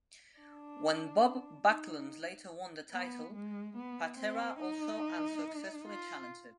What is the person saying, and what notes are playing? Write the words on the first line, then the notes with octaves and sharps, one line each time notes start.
When Bob Backlund later won the title, Patera also unsuccessfully challenged him.
D4
D#4
B3
G#3
B3
C4
D#4
F4